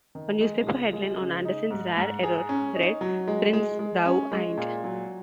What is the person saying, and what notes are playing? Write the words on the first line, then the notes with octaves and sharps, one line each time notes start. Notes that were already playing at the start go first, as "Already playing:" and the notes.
A newspaper headline on Anderson's rare error read "Prince Thou Ain't".
D#3
G#3
C#2
G#3
C#3
D#4
G#2
G#2
G#4
C#4
D#4
F#3
G#3
G#3
G#3
C#4
G#3
A#2
F#3